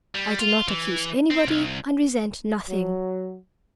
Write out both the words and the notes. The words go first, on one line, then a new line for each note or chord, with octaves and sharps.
I do not accuse anybody, and resent nothing.
G3
F4
E3
C4
C2
F#3